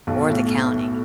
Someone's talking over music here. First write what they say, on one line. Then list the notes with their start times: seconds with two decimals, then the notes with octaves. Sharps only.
or the county.
0.07 B1 B2
0.29 A2